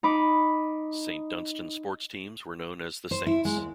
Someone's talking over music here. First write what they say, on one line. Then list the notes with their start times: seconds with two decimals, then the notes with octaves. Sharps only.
Saint Dunstan's sports teams were known as the Saints.
0.03 D#4 B5 D6
3.11 C5
3.26 E4
3.45 G#3
3.57 D#2